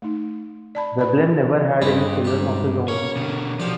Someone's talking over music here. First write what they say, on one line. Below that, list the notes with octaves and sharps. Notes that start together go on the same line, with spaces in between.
Veblen never had any children of his own.
A3 D#4
D5 A5 B5
B4 D5 B5
G2 C4 B4 D#5
G#2 G4 A5
C#3 A#3 C#5
B2 D3
B1 F3 G4 D5